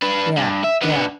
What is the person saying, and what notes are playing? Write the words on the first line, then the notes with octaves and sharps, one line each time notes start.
Yeah, yeah.
D4 B4
G2
E5
B3 D4